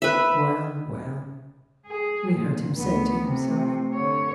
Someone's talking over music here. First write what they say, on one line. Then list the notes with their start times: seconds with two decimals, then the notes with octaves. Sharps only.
"Well, well!" we heard him say to himself.
0.02 B4 E5
1.86 G#4
2.33 A#2
2.74 D2 B3
3.26 C3 A3
3.93 D3 C#5